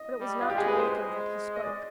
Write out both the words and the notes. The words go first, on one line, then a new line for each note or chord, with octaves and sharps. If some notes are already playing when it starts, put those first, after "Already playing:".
But it was not to Wakem that he spoke.
Already playing: D#5
G3
F4
G4
G#3 G#4
B4
C5
G#3
D#5
D5